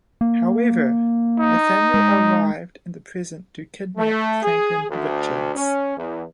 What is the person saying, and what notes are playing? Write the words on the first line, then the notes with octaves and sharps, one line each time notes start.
However, Nathaniel arrived in the present to kidnap Franklin Richards.
A#3
D#4
G#3
A3
G#4
D2
C#4
E2